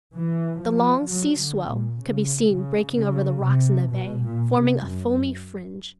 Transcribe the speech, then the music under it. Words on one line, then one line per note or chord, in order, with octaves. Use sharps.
The long sea-swell could be seen breaking over the rocks in the bay, forming a foamy fringe.
E3
F3
F#3
D3
A#2
C#3
C#3
C#3
C3
B2
A#2
C3
F#2